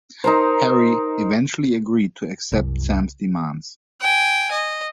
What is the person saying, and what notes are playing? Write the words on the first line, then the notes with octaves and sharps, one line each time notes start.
Harry eventually agreed to accept Sam's demands.
D#4 A#4 C5
C2 F#2
G5 G#5
D#5